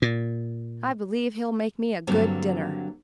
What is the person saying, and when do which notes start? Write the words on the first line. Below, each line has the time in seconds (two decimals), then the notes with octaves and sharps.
I believe he'll make me a good dinner.'
0.02 A#2
2.07 G2 D3 F#3 A#3 C4